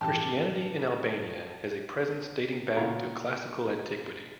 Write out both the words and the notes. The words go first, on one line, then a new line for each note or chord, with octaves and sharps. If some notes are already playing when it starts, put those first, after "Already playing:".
Christianity in Albania has a presence dating back to classical antiquity.
A1 G2 G4 A5 F6
A#2 C#3 E4 F#4 A#5